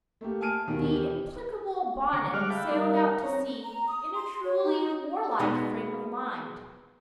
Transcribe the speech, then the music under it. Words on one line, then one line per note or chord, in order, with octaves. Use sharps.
The implacable Bonnet sailed out to sea in a truly warlike frame of mind.
A3 A#3 G4
G#5 A5 F6 D7 D#7
D#2 B2 D#3
E3 G4
D3 A#5 C#6 D6
G3 G#3 D6 F6 F#6
E5 F5 G5 A5 B5 D6
G3 D#4 A#4 F5
C4 C#5 A#5
A#5
D#6
C6
C#5
D#4
B2 G#3 B3 D#4